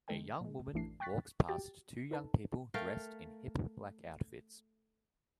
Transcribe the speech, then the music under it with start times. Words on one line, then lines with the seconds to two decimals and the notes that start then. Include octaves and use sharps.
A young woman walks past two young people dressed in hip black outfits.
0.08 D3 G#3 A4 G5
0.41 A#2 G#3
0.73 A1 F#2 E3 A3 D4 C7
1.00 G5 C#6 F#6 A6 B6
1.49 F#4 G4 G5 A6
2.11 D#4 A4 B4 A5
2.74 A3 A#4 F5 G5